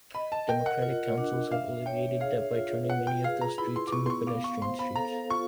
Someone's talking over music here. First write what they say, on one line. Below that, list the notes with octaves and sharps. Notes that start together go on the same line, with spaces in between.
Democratic councils have alleviated that by turning many of those streets into pedestrian streets.
D#5 B5
A5
A#4 G5
F#5
F4
D4
E5 F5
C#5 G5
G#4 F5
F4
B4 F#5
G5
G#4 F5
A#5
E4 B5
C6
D6
B3 C#6
C6
C#6
F5 D6
C#6
C5 C6
B5
A4 A#5
F4 C#6